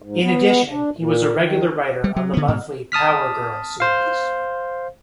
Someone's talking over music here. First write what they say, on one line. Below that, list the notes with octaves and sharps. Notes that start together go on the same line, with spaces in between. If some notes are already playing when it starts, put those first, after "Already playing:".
In addition, he was a regular writer on the monthly "Power Girl" series.
G#2
B3
D4
A#2
D#3
G3
F#3
D3 B3
G#2 B2
A5 D#6 F6 B6
C5 F5